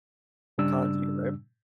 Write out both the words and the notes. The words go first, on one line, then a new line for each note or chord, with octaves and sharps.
kanji, right?
G2 C#3 G3 D4 E6